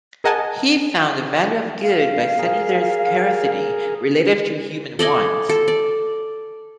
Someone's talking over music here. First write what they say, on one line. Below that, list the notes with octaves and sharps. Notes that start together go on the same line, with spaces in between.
He found the value of goods by setting their scarcity relative to human wants.
G#4 A#4 D#5 F#5 G#5 A5
F5
G#4 A#4
A4 D5 D#5 G#5
A4
D5